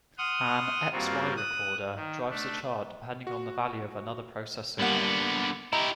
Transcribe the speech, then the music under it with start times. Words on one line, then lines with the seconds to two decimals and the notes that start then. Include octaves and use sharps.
An "X-Y" recorder drives the chart depending on the value of another process signal.
0.18 F#5 C6 D#6 F6
0.92 G2 A#3 C4 F4 F#4
1.37 D#6 F#6
1.96 D#3
2.30 A3 D4
3.27 F#4
4.79 D3 G3 A#3 B3 F#5
5.73 E4 G4 D#5 A#5